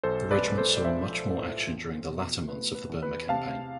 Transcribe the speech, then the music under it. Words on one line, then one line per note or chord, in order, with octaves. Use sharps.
The regiment saw much more action during the latter months of the Burma campaign.
B1 A4 C5
B4 D5
G#3 B4
A4 C5
D5
F3 C5 E5
A2
E2
B2
A3 B4
B4
E2
B4
C3 F5 A5